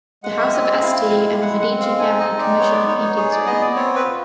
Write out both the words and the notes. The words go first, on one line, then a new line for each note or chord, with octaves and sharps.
The House of Este and the Medici family commissioned paintings from him.
G#3 F#5
E5
C4 D#5
E4 F5
G#3
G#3 F#5
F#5
C4
F5
D#4 G#5
D#5
G#3
D5
B3 C#5
D5
D#4 C#5
C#5
G#4 C#5
D5
B3 D#5
D5
C4 C#5
B4
F4